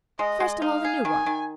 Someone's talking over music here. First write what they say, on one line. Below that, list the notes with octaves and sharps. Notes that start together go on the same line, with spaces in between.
"First of all, the new one."
G#3 D#5
G#3
D#4 F5
G#4
D#3 G#5
D#3